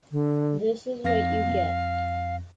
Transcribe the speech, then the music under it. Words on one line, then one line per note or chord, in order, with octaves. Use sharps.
This Is What You Get.
D3
F2 F5 A#6